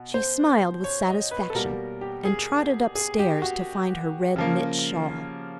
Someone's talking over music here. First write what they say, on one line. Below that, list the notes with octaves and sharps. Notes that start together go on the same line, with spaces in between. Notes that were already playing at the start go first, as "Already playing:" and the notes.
She smiled with satisfaction, and trotted upstairs to find her red knit shawl.
Already playing: B2
C5
C#5
D#5
B4
A4
B2 G3 A#3 A#4
G4
G#4
G#4
G4
F#4
C#3 F3 A#3